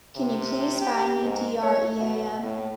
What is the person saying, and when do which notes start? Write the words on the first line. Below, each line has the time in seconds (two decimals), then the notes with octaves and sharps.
Can you please find me D.R.E.A.M.?
0.16 C3
0.81 G4
1.22 G#2
1.63 C#5
1.99 B2
2.43 A2